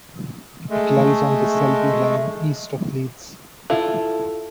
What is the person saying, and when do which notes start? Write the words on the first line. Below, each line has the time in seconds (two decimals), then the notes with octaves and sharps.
It lies on the Selby Line east of Leeds.
0.70 G#3 A3
3.70 E4 F4 A4